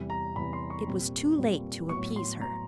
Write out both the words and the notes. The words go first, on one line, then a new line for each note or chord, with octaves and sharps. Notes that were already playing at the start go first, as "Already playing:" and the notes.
It was too late to appease her.
Already playing: E2 C3 E3 G3
A#5
E2 C3 E3 G3 B5
C6
C#6
A#2 G3 C4
A#2 G3 C4
A2 F#3 B3 C#6
C6
A2 F#3 B3 A#5